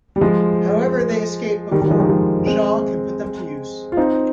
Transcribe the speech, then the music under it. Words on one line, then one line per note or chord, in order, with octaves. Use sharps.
However, they escape before Shaw can put them to use.
G3
F3 G#3
D#3 G3
D#3 G3
F3 G#3
D#3 G3
F3 G#3
G#3 C4
F4
C4 D#4